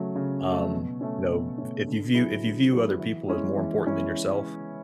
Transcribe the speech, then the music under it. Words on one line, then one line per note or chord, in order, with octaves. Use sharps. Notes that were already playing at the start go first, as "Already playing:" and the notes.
um, you know, if you view if you view other people as more important than yourself,
Already playing: C#3 F#3 A3
C#3
F#3 A3
B2
A3 C#4
B2
A3 C#4
D3
F#3 B3 E4 G#4
D3
F#3 B3 E4 G#4
E3
G#3 C#4 E4
E3
G#3 C#4 E4